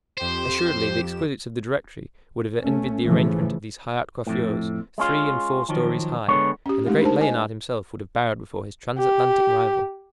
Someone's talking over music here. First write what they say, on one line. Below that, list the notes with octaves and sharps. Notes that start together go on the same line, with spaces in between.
Assuredly, the exquisites of the Directory would have envied the arrangement of these high-art coiffures, three and four stories high, and the great Leonard himself would have bowed before his transatlantic rival.
F2 G4 C5 E7
A3 C#4
A2 C#3 E3 F3 A3
F2 A2
G#3 C#4 F4
D#3 F3 F#3
D3 G#3 B3 C#5
C#4 G4
G#3 A3 D#4 G4
D4 D#4 A#4 C5 A5
D#5 G#5
G4